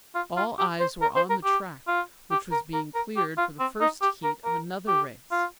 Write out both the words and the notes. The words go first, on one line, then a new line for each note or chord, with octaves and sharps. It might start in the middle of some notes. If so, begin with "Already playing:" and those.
All eyes were on the track, which was being cleared for the first heat of another race.
F4
F4
G4
C5
A#4
C5
A#4
G4
F4
G4
A#4
A#4
A#4
G4
F4
C4
D#4
G4
A#4
A#4
G4
F4